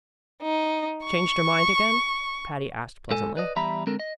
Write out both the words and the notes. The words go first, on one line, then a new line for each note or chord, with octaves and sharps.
"Changed her mind again?" Patty asked pleasantly.
D#4
C#6
G#2 A4 G#5
B4 D5 D#5
E2 G3 E5 A#5 B5
D3 G#3 C4 A4 A#4
D#5